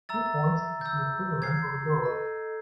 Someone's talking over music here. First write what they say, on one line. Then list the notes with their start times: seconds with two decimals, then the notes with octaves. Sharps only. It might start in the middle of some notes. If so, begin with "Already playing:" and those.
Three points is the equivalent of a goal.
0.09 E5 A#5 E6 A6
0.26 A6
0.81 E6 G6
1.42 G#6 C7
2.04 A4 D#5